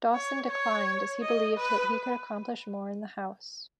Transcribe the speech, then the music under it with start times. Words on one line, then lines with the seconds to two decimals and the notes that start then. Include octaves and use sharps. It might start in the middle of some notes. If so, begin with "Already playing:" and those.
Dawson declined as he believed that he could accomplish more in the House.
0.14 C#5
0.51 C#5
1.22 D#5
1.57 B4